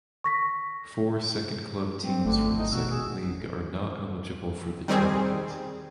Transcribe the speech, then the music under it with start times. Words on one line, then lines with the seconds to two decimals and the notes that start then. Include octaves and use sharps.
Four second club teams from the Second League are not eligible for the tournament.
0.24 C#6 A#6 B6
2.03 F#3 C4
2.25 G#1 D3 A3
2.58 D#4
2.72 B2 F#4 E6
2.90 G#4
4.88 D#3 G3 C4 G#4